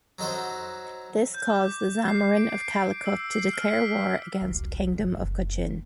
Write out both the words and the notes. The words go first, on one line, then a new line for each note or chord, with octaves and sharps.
This caused the Zamorin of Calicut to declare war against Kingdom of Cochin.
F#3 D#4 A4 C5 F#5
G6
D6
C7
D7
D7
E6
C7
F6
B6
D#1 B1
G1 C3
F#1 A3
A#3